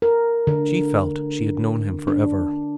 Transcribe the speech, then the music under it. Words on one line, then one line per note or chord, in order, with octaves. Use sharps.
She felt she had known him for ever.
A#4
D3
D4